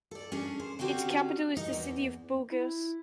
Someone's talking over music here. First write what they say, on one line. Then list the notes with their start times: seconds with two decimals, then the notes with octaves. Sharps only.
Its capital is the city of Burgos.
0.11 A4 D5
0.32 C#4 D4 G#4
0.60 C5
0.79 D3 C4 C#4 F#4 G4
1.57 D#4
1.73 E2
2.52 E4